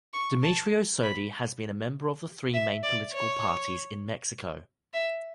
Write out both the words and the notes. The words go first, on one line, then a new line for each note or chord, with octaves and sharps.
Demetrio Sodi has been a member of the three main political parties in Mexico.
C#6
A5
B5
E5
D5
C#5
E5